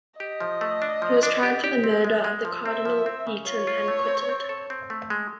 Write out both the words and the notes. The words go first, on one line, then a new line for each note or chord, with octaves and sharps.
He was tried for the murder of Cardinal Beaton and acquitted.
G4 D#5
F3
A3
D4
F3
D4
G4
G4
C4
G#3
G#3
F3
C4 E5
F3
C4
C#3
F4 C#5
F4
A3
C4
C4
A4
C4
A3
G#3